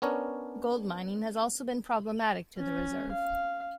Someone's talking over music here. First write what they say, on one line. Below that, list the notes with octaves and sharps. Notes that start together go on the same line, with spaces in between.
Gold mining has also been problematic to the Reserve.
B3 C#4 D4 A#4 C#5
C#4
F5